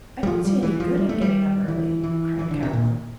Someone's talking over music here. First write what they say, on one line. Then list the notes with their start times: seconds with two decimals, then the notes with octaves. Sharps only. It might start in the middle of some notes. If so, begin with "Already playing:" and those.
"I don't see any good in getting up early," cried Caroline.
0.23 G3
0.27 F3
0.45 G3
0.63 E3
0.80 F3
0.98 G3
1.09 A3
1.21 G3
1.68 E3
2.03 E3
2.39 E3
2.51 D3
2.63 C3
2.73 A#2